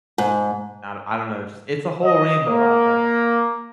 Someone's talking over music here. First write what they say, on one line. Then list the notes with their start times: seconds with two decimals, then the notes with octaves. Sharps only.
I do I don't know. It's just it's a whole rainbow out there,
0.18 G#2
2.02 D#5
2.46 A#3